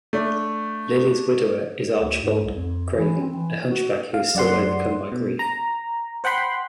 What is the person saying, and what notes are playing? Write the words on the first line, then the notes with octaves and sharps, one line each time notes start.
Lily's widower is Archibald Craven, a hunchback who is still overcome by grief.
A3 D4
D2
G#2
C2
F2
E3
C4
E3
F#4
F5
F#2 D5 F#5 C6
B2
A#5
C5 F#5 G5 B5 C6